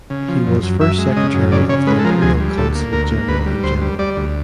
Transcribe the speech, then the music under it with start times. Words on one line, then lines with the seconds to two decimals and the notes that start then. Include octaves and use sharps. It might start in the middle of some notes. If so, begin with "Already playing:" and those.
He was First Secretary of the Imperial Consulate General in Genoa.
0.10 C#3
0.29 F3
0.46 F#2
0.63 F#2
0.81 F#2 E5
0.99 G#3
1.16 C#3 D#5
1.34 F#2
1.52 C#3 D5
1.69 C#3 C#5
1.87 G#3 B4
1.99 A4
2.04 F3 A#4
2.22 D2 G#4
2.40 G3
2.58 D2 A4
2.75 A#3
2.93 D2 A#4
3.11 A#3
3.28 D2 B4
3.46 G3
3.63 D2 C5
3.81 G3
3.99 G3 D5
4.17 D2